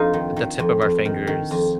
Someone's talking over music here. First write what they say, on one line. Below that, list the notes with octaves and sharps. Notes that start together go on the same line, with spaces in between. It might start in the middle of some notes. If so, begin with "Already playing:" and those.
at the tip of our fingers.
Already playing: F2 D#4 F4
D#3
D#3
F2
F2
D#3
D#3
F2